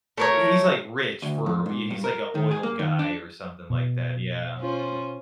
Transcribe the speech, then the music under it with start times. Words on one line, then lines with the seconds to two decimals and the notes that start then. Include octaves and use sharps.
eh, he he's, like, rich for r yeah, he's like a oil guy or something like that, yeah.
0.18 A3 A#4 C#5
1.22 D2
1.46 F2
1.66 G#2
1.91 G2
2.04 A#4
2.35 D#3
2.51 G#4
2.63 A#3
2.79 D#3
2.99 D4
3.70 B2
4.58 C#4 F4 C5